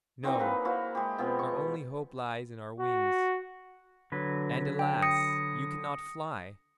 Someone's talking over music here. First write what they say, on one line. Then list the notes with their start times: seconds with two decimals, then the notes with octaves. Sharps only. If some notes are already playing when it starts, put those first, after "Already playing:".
No, our only hope lies in our wings--and, alas! you cannot fly!'
0.23 E3 F#3 C4 D#4
0.39 A#3 B4
0.65 A#3 E4 F#4 C5
0.95 G#3 G4
1.18 B2 F3 B3 C4
1.39 C#6
2.80 F#4
4.12 D3 F#3 B4
4.79 G5
5.02 D#6 A#6 C#7